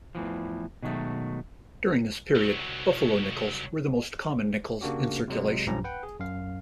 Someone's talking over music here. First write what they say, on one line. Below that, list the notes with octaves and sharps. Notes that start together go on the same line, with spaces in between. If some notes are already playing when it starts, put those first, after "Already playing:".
During this period, Buffalo nickels were the most common nickels in circulation.
E2 A2 C#3 E3 F3
B2 D#3 F#3 G#3 A3
C2 F#3
C#3 A#3 D4 F#4 G4
C3 F#3 G#3
B1 G2 F3 C#4 G4 A#5
B4 F#5 G5
G#4
F#2 F5